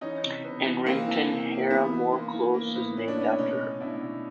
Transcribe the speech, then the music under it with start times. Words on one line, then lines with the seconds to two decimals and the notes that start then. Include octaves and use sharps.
In Wrington 'Hannah More Close' is named after her.
0.01 E3 C#4 D#4
0.23 C3
0.43 C3 B3
0.65 E3
0.86 E3 A#3 C4
1.07 E3
1.29 C3
1.49 E3
1.59 A#3
1.71 E3 B3
1.91 E3
2.12 E3 A#3
2.34 E3
2.54 E3 A#3
2.75 A2 B3
2.97 A2 C#4
3.08 D4
3.17 A2 B3 C#4
3.38 B2 C#4 D#4
3.60 B2
3.80 B2 D4 E4
4.02 B2